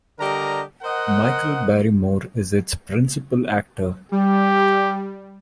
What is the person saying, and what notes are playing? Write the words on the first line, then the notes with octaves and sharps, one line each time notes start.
Michael Barrymore is its principal actor.
D3 G3 G4 A#4 D#5 A#5
A#4 C5 D#5 F#5
G3 G4